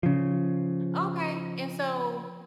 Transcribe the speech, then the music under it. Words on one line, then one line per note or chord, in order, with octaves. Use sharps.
Okay, and so,
C#3 F3